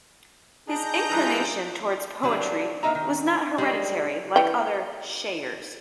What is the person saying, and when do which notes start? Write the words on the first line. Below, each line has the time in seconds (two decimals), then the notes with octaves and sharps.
His inclination towards poetry was not hereditary like other "shayars".
0.67 D4 D#4 G#4 A#5 G6
1.11 E3 G3 F4
2.23 E3 F#3 G3 D4 E4 F4
2.83 D3 A#3 B3 D#4 E5 A#5
2.95 D#3
3.58 G3 G#3
4.36 E3 G5